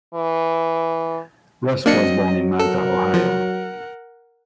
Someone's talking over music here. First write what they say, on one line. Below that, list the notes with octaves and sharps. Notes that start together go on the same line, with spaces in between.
Rusk was born in Malta, Ohio.
E3
F#3 A#3 C4 D4 D#5 C#7
A4 A#4 F#5
F3